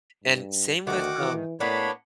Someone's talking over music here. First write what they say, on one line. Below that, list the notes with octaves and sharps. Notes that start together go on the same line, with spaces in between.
And same with, um,
G2
D2 D#3 F#4 F#5 D6
E3
A2 A#3 B3 D4 C#5 B5